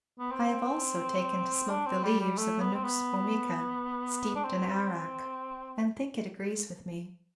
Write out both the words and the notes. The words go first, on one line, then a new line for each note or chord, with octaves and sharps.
I have also taken to smoke the leaves of the nux vomica, steeped in arrack, and think it agrees with me.
B3
C4
D4
C4
G3
G3
A3
B3
C4
B3
D4
C4